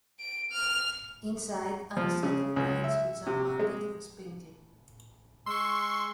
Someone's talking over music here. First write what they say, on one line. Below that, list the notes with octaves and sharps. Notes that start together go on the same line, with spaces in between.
Inside are a set of vanes which are mounted on a spindle.
D7
F6
F3
C#3
C#2
E5
C3
G#3
G#3 C6 C#6 E6